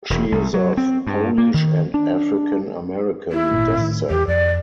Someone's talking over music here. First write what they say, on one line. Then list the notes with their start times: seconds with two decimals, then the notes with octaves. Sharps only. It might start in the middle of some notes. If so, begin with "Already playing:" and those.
She is of Polish and African-American descent.
0.10 E1
0.32 C2
0.54 F#3
0.77 C4
1.07 G2
1.38 A#3
1.54 D#3
1.94 D4
3.32 E4
3.51 G#1 A#2 A#3
3.77 A2 D#3
4.10 E2 G4
4.28 F2 D5